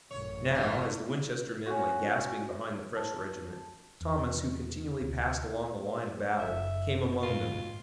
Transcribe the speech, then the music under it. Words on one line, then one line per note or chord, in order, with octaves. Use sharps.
Now, as the Winchester men lay gasping behind the fresh regiment, Thomas, who continually passed along the line of battle, came among them.
A1 F#2 C#5
G2 B2 E3
C#4 F#4
A5
E2
D2
F#1 E5
G#2 B2 F4